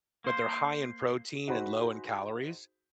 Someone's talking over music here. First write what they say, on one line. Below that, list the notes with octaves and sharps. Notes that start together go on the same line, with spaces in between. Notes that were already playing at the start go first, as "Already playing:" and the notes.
but they're high in protein and low in calories
A#3 C5
D#4 F#4 G#4 C5 B5